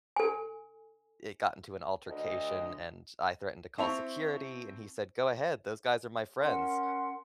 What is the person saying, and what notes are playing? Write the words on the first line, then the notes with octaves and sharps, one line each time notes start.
it got into an altercation, and I threatened to call security, and he said, "Go ahead, those guys are my friends."
A4 G#5
D2 D#5
C4 E4 A5 C#6 F7
C#4 A#4 F#5 C6